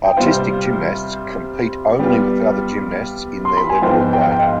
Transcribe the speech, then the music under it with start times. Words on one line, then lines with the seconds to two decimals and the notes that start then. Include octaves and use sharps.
Artistic gymnasts compete only with other gymnasts in their level or grade.
0.05 G5
0.17 C3 G3 C4 F4 C5 F5
1.99 G3 B3 F4 G5
3.45 C6
3.57 B5
3.70 G#5
3.82 G#2 F3 B3 F4 C5 G5
4.13 G5
4.22 F5
4.31 G5
4.39 D#5
4.43 F5